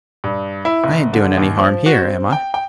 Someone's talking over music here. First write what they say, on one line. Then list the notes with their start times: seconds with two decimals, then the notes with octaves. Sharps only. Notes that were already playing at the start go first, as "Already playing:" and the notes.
'I ain't doing any harm here, am I?'
0.24 G2
0.65 E4
0.84 F#1
1.13 D3
1.38 D#2
1.57 F3
1.86 F#4
2.01 C4
2.33 G5
2.54 G5